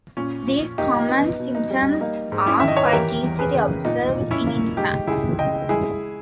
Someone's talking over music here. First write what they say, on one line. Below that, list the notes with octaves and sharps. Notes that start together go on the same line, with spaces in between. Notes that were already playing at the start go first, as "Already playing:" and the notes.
These common symptoms are quite easily observed in infants.
A#2 C#4
A#2
A#3 D#4 G4
B3 D#4
B2
D#4
G3
A#3 D#4
G#2
C#4 E4
D#3 E5
D#5
C#5
B4
E3 G4 A#4
E2
G#4 B4
C#3
A#2 D#4
A#2
C#4 E4
A#3
G#3 D#4 G4
C#2 E4 G#4
C#3 D#5 G5
G#3 E4 G#4